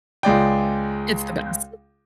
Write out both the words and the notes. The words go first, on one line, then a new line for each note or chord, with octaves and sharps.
It's the best.
C#2 G#3 D5 G5